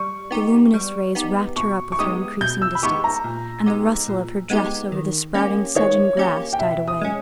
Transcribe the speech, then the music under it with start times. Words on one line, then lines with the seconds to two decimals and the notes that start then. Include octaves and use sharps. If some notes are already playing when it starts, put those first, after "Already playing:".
The luminous rays wrapped her up with her increasing distance, and the rustle of her dress over the sprouting sedge and grass died away.
Already playing: G3 C#6
0.31 B3 D#4 G4
0.74 G3
1.15 B3 D#4 G4
1.56 B2 C#6
1.92 C#6
1.99 G#3 B3 D#4 G4 D#6
2.41 B2 G6
2.62 E6
2.75 B5
2.82 G#3 B3 D#4 G4 C#6
3.04 A#5
3.24 A#2
3.66 G#3 B3 D#4 G4
4.08 A#2
4.50 G#3 B3 D#4 G4
4.92 D#3
5.34 A#3 C#4 G4
5.75 D#3 C#5
6.17 A#3 C#4 G4
6.53 G5
6.59 B2 E5
6.88 D#6
7.01 G#3 C#4